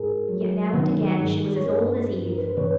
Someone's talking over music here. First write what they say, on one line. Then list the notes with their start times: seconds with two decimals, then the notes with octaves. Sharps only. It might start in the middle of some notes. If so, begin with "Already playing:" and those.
Yet now and again she was as old as Eve.
Already playing: G#2 G#4 A#4
0.28 F#3
0.73 D#3
1.19 G#2
1.56 C#5
1.65 G2 A#4 C5
2.11 G2
2.26 A#4
2.37 B4
2.47 C5
2.57 E3 B4 C#5